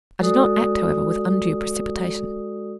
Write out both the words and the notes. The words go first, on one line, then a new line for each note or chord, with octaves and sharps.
I did not act, however, with undue precipitation.
G#3 F#4 A4 D5 D#6